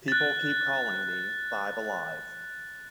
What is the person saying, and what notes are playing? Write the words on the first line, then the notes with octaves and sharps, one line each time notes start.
People keep calling me Five Alive.
F#6 A6